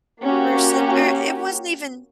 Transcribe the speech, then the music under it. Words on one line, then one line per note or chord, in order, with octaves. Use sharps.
person, or it wasn't even
A#3 C#4 F#4 G4